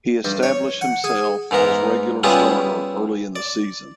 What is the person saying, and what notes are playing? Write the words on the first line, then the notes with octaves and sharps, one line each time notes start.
He established himself as regular starter early in the season.
G2
C#5
F#5
G#4
G#2 E3 B3 A#4
G3 B3 C#4 E4 F4 G#4
D5